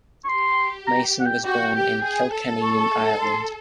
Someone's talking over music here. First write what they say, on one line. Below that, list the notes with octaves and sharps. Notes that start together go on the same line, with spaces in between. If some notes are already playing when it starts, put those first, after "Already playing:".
Mason was born in Kilkenny in Ireland.
C#6
G4 C6
A#5
F#5
G5
F#4 G5
G4
G#4
A4
C#6
C6